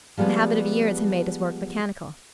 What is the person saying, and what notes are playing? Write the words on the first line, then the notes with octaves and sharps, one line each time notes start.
The habit of years had made his work mechanical.
F3 G3 G#3 B3